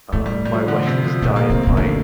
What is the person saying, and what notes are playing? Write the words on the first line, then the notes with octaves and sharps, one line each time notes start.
uh, my wife was dyeing my
A2 A3
G3
G3
F3
D3
C3
F3
A#2 A3
A#3
C3 C4
A#3
C3
D3 A3